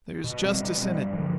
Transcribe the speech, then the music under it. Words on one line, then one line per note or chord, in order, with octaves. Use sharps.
There is justice in it.
B2
G3 C4
B2
G3 C4
G2
D3 F3